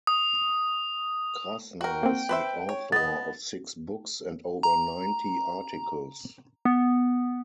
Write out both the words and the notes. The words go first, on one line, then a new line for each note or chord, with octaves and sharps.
Krasner is the author of six books and over ninety articles.
D#6
F#4 A#4 G5
A#3 C4
B4 C5 E5
C#5
B3 D#5 A6
A#5
B3